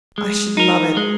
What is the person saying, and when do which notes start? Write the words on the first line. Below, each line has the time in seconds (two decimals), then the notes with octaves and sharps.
"I should love it."
0.18 G#3
0.57 D#4 A#4
0.97 G#3